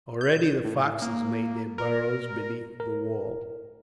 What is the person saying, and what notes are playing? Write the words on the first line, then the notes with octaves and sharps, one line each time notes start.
Already the foxes made their burrows beneath the walls.
G6
A2
A#3
A#4
A#4